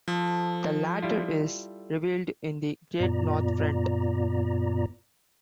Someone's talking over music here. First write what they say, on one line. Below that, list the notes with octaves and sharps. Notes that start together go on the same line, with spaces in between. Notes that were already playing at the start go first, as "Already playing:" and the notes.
The latter is revealed in the great north front.
F3 A4
G3 E4 F4
F#2 A#2 B3 F4 D5 A#5